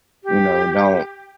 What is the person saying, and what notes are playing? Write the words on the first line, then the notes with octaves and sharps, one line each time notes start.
you know, don't,
G4